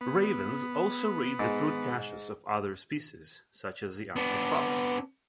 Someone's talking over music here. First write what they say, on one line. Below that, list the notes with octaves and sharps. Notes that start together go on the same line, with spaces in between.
Ravens also raid the food caches of other species, such as the Arctic fox.
B3
G#2
B3 D4